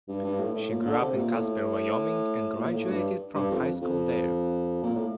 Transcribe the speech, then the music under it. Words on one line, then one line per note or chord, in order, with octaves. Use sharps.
She grew up in Casper, Wyoming, and graduated from high school there.
G2
G2
A2
A2
A#2
D3
C3
A#2
A2
A#2
A2
G2
G2
F2
F2
A#2
A2